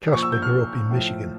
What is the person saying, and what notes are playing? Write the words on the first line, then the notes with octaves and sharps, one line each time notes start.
Kasper grew up in Michigan.
A#2 F3 C#6
E6
G6
F6
A2 F3